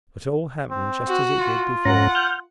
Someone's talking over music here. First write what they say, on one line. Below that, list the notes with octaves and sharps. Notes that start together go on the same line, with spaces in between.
But all happened just as it did before.
C4
F#4
F4
G#2 C#4 F#5 A#5
F6 G6